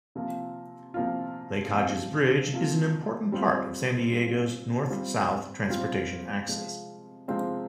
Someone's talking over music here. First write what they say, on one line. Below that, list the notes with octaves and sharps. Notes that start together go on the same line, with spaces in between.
Lake Hodges Bridge is an important part of San Diego's North-South transportation axis.
C3 F3 A#3 F4
C3 F3 A#3 F4
C3 F3 A#3 F4
C3 F3 A#3 F4
G3 C4 F4
G3 C4 F4
G3 C4 F4
G3 C4 F4
C3 F3 G#3 C4 F4
C3 F3 G#3 C4 F4